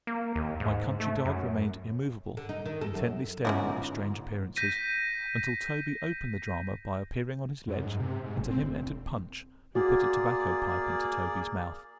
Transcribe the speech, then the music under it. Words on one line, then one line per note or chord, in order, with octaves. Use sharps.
My country dog remained immovable, intently staring at these strange appearances, until Toby opened the drama by appearing on his ledge, and to him entered Punch, who put a tobacco-pipe into Toby's mouth.
A#3
D#2
G#2
A3
F#2
D3
D#4
D#3
A4
F#2
G1 G#2 C#4 E4 F#4 D6
G6 A#6 B6 D#7
F#2
G#2
C3
G#2
F#1
C4
E1
A#3 F#4 G#4 D5